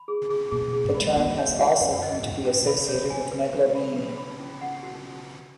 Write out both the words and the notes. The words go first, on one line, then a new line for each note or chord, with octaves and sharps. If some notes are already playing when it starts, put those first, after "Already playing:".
The term has also come to be associated with megalomania.
Already playing: B5
G#4
G#4
B2 G#4
B2
G#4
G#2
B5
G#3
B3 F#4
C#5
G#3
F#4
F#2 F#5
D#5
F#2
G#2 C#4
F#2
G#2 C#4
B2
B5
C#3
C#5
D#3
F#3 G#5
B3 B4
G#3 B4
B5
B4
B5
C#4
F#5
F#4